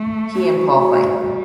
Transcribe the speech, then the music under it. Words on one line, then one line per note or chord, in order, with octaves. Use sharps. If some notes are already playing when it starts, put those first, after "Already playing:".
He and Paul fight.
Already playing: A3
F#4
G3